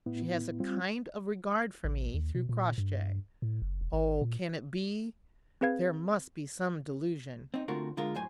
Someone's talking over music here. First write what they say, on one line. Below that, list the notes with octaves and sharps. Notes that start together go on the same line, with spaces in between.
She has a kind of regard for me, through Crossjay.--Oh, can it be? There must be some delusion.
A2 B3 E4
G3 C4 F4
A1
D#2
B2
A#2
G2
A2
F#1
E1
G#1
A#2
C4 G#4 B4 F5 G#6
C4 D#4
D3 A3 C4 F4 F#4 A#4
D3 G#3 F4 A#4
F#2 A2 C5 G#5